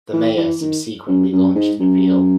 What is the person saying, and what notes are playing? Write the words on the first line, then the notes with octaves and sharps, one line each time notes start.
The mayor subsequently launched an appeal.
E3
E3
D#3
F#2
F#2
G#2
F#2